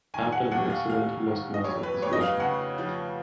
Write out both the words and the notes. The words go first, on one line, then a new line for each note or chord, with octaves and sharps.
After an accident he lost most of his vision.
D#3 G#5
F#5
D#2 F#5
F5
D#2 F5
D#3
D#5
F2 C#5
B4
F2 C#5
D#5
F5
C#3 F#5
F3